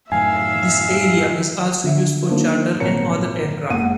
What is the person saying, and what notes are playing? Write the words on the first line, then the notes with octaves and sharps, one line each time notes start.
This area is also used for charter and other aircraft.
F#2 A2 D#3 E5 F5 G#5
D3 E5
D#3 F#3 A#3 D4 C5
G#1 A#2 F#3 C#5 A#5 C#7
F#1 G#3 F#5 D#7